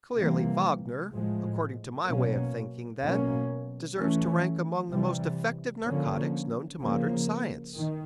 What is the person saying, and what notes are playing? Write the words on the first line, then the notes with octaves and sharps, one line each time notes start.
Clearly Wagner, according to my way of thinking, then, deserves to rank among the most effective narcotics known to modern science.
C3 E3 G3 A#3
A2 F3 G#3
B2 F#3 A#3 C#4
B2 F#3 A#3 C#4
E3 A3 C#4
C3 E3 G3
D3 F3 A#3 C#4
C#3 F3 A#3
D#3